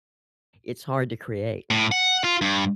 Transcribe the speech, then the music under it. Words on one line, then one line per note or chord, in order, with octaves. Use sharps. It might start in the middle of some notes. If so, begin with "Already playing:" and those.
it's hard to create,
A2
F#5
F4
G2